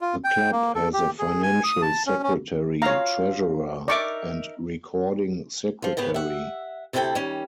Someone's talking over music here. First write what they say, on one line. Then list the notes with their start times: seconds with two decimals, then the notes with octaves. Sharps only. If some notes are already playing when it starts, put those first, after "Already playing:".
The club has a Financial Secretary, Treasurer, and Recording Secretary.
0.01 F4
0.24 G5
0.52 A#3
0.75 A4
0.94 G4
1.19 G#4
1.43 G#5
1.64 D#6
1.82 A5
2.07 C#4
2.23 C#4
2.82 F4 C#5 F5 A#5
3.88 D#4 A#4 D5 E5 C#6 D6
5.82 F3 F4
5.97 G#2 C#3 B3 G4
6.14 E5 F#5
6.93 D2 C3 E4 G#4 A4 G5
7.15 D#3 G3 C#4